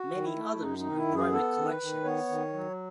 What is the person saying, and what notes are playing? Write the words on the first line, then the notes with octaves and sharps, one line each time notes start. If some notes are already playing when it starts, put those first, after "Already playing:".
Many others are in private collections.
Already playing: F#4
D#3
E4
A3
F#2 D#4
D#4
D#3
E4
F#2
G#4
B3 A4
D#3
B4
D#3
B3 C#5
D#3
F#3